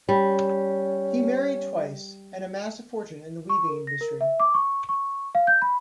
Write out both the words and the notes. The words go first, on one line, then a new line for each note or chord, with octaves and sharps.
He married twice and amassed a fortune in the weaving industry.
G3 C#4
C#6
A#4
A#6
A#4
E5
D6
C#6
C#6
F5
G6
B5